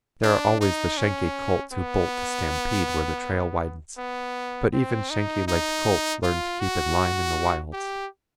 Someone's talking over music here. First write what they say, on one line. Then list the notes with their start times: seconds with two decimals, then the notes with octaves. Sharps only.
There are always the shanky colts who bolt to stampede where the trail widens; but even shanky-legged colts learn to keep in line in the wilds.
0.23 D4
0.61 D#4
0.97 C#4
1.72 B3
3.98 B3
4.73 C4
5.10 D#4
5.48 D#4
6.23 F4
6.60 F#4
7.73 G4